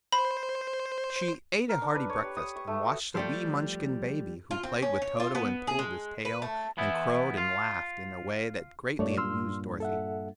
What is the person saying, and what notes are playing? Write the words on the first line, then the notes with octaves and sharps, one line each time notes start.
She ate a hearty breakfast, and watched a wee Munchkin baby, who played with Toto and pulled his tail and crowed and laughed in a way that greatly amused Dorothy.
C5 B5
A#4
D4
B4
C#5
G4
D#6
C#6
A3
F#4
F3 G3 A3
F4
C4
C#4
C#5
F4
B3
G#4
G#3
B4
A3
E3 B3 E4
F4
G2 A#2 A3 C#5 D5
C6 E6 F6
A4 E5 F#5